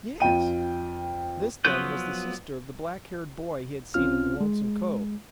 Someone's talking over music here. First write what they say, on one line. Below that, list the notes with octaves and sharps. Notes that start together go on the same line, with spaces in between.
"Yes." This, then, was the sister of the black-haired boy he had seen in the Lonesome Cove.
F2 F4 G5 D#7
F3 F#3 B3 B4 G6
C2 C4 C#4 F4 F6
G#3